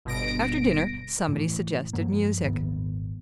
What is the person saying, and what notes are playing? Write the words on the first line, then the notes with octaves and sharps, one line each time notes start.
After dinner somebody suggested music.
G1 B2 A#6 D7
A2 E3
G2 F3 F#3 A#3
D#1 G#1 D#3 B3